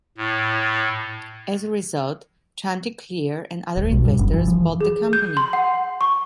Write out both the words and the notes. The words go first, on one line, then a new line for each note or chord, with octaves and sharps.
As a result, Chanticleer and other investors bought the company.
A2
D#1
B1
G2
F#1
E3
F3
G#4
G6
C6
F#5
C#6